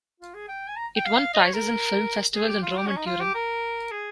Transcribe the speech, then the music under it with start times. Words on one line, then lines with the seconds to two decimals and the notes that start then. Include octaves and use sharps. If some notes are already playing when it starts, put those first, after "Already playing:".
It won prizes in film festivals in Rome and Turin.
0.20 F4
0.34 G#4
0.48 G5
0.67 G#5
0.76 A#5
0.96 G5
1.05 F5
1.34 D#5
1.43 C#5
1.53 A#4
2.35 G#4
2.48 G4
2.62 F4
2.77 G4
2.87 C#4
2.96 D#4
3.06 F4
3.20 G4
3.34 A#4
3.91 G#4